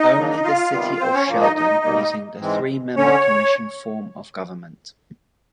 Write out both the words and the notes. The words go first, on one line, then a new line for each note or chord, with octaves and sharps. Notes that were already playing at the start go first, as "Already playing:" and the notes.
Only the city of Shelton using the three-member commission form of government.
Already playing: D#4 D#5
C#3 F#3 A#3 D4
F4 F5
C3 D#3 G3 B3
C4 C5
C#4 C#5
A#2 F3 A#3
D#4 D#5
D#4 D#5
B2 G3 A#3
G#2 E3 G#3 C4
D3 C#4 C#5